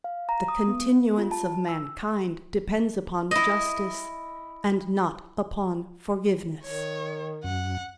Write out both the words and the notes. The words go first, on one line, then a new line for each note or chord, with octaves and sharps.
The continuance of mankind depends upon justice and not upon forgiveness.
F5
A#5
D#6
B3
F4
A5
E6
E4 D#5
D#3 C#5
F#2 F#5